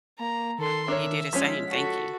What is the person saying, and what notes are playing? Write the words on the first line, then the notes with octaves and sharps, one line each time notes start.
You do the same, thank you.
A#3 A#5
D#3 A4 C6
D4 A#4 C#5 E5
F3 G#3 C#4 B6
F#4 A4